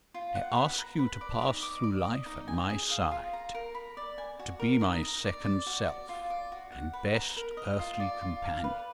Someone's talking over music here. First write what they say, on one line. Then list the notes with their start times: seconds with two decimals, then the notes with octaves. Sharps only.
"I ask you to pass through life at my side--to be my second self, and best earthly companion."
0.14 F4
0.35 F#5
0.56 B4
0.78 A#5
0.99 B4
1.21 D5
1.41 D#4
1.63 D6
1.83 D5
2.05 D#5
2.26 D#4
2.48 G#5
2.70 G#4
2.90 F5
3.11 F4
3.33 A#5
3.54 A#4
3.75 B5
3.97 D5
4.18 G#5
4.39 F#4
4.59 A#4
4.81 D#4
5.03 A#5
5.24 D5
5.44 D5
5.66 F#4
5.88 D5
6.09 F4
6.30 D5
6.52 F#4
6.72 F#5
6.93 B4
7.15 A#5
7.37 A#4
7.57 D#5
7.79 F4
8.00 D5
8.21 F4
8.42 F5
8.64 B4